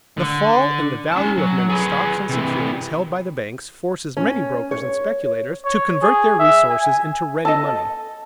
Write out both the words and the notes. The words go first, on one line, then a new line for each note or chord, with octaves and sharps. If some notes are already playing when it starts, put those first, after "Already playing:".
The fall in the value of many stocks and securities held by the banks forces many brokers and speculators to convert their resources into ready money.
D3
C#4 A5
F#3
G#4 B4
C3 E3
C#4
C#5
C#5
G#4
E5
G#5
A4 D#5 A5